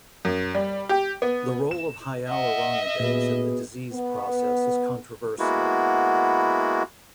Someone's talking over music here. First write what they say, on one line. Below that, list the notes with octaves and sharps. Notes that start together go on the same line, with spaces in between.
The role of hyaluronidase in the disease process is controversial.
F#2
G3
G4
B3
E7
D#5 E5 F#5
A#2 B3 F#4 G#4 B4
B3
G#3 A#3 B3 E4 F#4